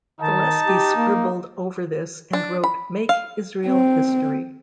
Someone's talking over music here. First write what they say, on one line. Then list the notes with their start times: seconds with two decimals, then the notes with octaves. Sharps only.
Gillespie scribbled over this and wrote Make Israel History.
0.21 D#3 D#4 A5
0.66 G4
0.96 A#3
2.33 D4
2.64 B5
3.09 F5
3.67 C4